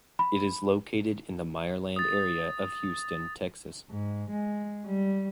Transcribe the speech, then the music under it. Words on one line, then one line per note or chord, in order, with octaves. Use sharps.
It is located in the Meyerland area of Houston, Texas.
B5
D#6 A6
G#2
G#3
G3